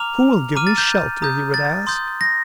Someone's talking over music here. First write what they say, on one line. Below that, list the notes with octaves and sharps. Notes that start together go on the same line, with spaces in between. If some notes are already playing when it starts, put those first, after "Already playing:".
"Who will give me shelter?" he would ask.
Already playing: A#5 D6 F6 F7
A#5 D6 F6 D#7
A6
G6
A#5 D#6 G6
A6
C6 D#6 G6
A#6